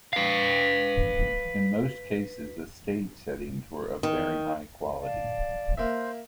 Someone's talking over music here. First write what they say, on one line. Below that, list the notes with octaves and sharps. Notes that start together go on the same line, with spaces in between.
In most cases the stage settings were of very high quality.
B4 F5
D#3
D5 F5 A5
A#3 C5 E5